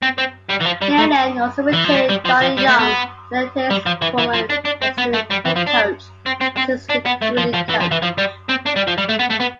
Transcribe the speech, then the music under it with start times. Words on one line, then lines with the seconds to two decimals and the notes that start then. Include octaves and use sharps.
Nehlen also retained Donnie Young, Cignetti's former assistant head coach, as his recruiting coach.
0.02 C4
0.18 C4
0.50 G3
0.61 E3
0.66 F3
0.82 G3
0.98 A3
1.73 E3
1.84 F3
1.94 G3
2.09 G3
2.25 F3
2.42 F3
2.58 G3
2.69 A3
2.80 B3
3.70 G3
3.86 F3
4.02 E3
4.18 E3
4.34 F3
4.50 D4
4.65 D4
4.82 C4
4.98 B3
5.13 A3
5.30 G3
5.45 E3
5.56 F3
5.67 D4
6.26 C4
6.41 C4
6.58 C4
6.90 D4
7.06 B3
7.22 A3
7.38 F3
7.54 F3
7.70 E3
7.81 F3
7.91 E3
8.02 F3
8.18 G3
8.49 C4
8.66 D4
8.76 G3
8.88 F3
8.98 G3
9.09 A3
9.19 B3
9.30 A3
9.40 B3